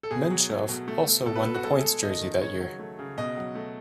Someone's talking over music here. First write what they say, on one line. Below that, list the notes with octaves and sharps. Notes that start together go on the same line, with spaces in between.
Menchov also won the points jersey that year.
A4
B2 G#4
F#3
A3
B2
A3
A3
B2 A4
B4
B2 A4
F#4
G#3 A4
G#4
G#3 A4
D#3 D#5
D#3
C#3 C#5
F#3
A3
C#3
B2 D#5
F#3
A3